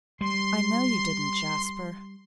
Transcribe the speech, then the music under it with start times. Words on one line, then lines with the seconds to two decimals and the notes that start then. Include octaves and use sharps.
'I know you didn't, Jasper.
0.21 G3 C6